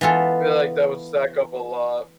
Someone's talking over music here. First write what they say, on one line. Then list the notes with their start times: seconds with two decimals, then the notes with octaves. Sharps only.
Feel like that would stack up a lot.
0.01 E3 B3 F4 A4